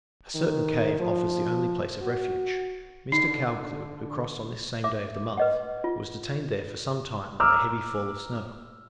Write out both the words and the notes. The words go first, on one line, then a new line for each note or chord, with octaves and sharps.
A certain cave offers the only place of refuge: Mr. Caldcleugh, who crossed on this same day of the month, was detained there for some time by a heavy fall of snow.
D#3
F3
F#4
D3 D#4 C7
E5 D6
B4 D#5 F#5
F4
A#5 D6 E6 F6